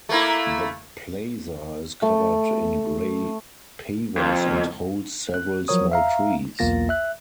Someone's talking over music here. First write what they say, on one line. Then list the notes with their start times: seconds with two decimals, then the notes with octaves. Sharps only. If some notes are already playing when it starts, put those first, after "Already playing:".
The plaza is covered in gray pavers and holds several small trees.
0.09 A3 A#3 E4
2.02 A3
4.17 F2
5.34 F#6
5.68 F3 F#3 A#4 C#5 D#6
5.92 E5 F5 A#5
6.59 B1 E2 A#3 F4 A6 A#6
6.89 E5 F#6